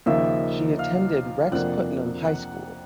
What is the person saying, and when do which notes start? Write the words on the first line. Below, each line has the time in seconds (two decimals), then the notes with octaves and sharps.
She attended Rex Putnam High School.
0.06 D#2 C#3 F3 A#3 D#4 E5
0.79 F5
1.52 F2 C3 F3 A#3 D4 F#5
2.25 F#5